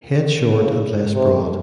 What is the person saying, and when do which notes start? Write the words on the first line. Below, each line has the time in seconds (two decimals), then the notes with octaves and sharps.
Head short and less broad.
0.57 C#3
1.15 C3